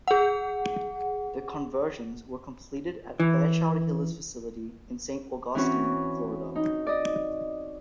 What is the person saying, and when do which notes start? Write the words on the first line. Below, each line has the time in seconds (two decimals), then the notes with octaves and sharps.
The conversions were completed at Fairchild-Hiller's facility in Saint Augustine, Florida.
0.08 G#4 F#5
3.20 E3
5.55 E3 C4 C#4 F#4
6.55 D#4
6.87 D5 D#5